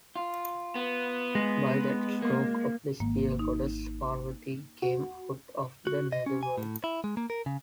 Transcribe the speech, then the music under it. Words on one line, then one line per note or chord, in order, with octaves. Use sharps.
By that stroke of the spear, Goddess Parvati came out of the Nether World.
F4
B3
G#3
A#3
G#1 A#3
D#4
F#4
F#4
D#5
C#4
G#5
A2
E4
G#3
A#3
A#4
C#3